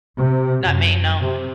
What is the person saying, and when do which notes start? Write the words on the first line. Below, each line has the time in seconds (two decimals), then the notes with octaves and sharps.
Not me, no,
0.17 C3
0.64 F#2
1.21 C3